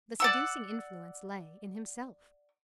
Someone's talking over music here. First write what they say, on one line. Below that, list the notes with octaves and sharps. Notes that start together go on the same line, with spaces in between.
The seducing influence lay in himself.
D5 F#5 E6